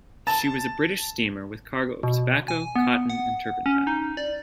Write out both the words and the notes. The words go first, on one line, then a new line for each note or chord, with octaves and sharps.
She was a British steamer with cargo of tobacco, cotton, and turpentine.
A5
B2
G#5
B3
F#5
C#4
D#4
D5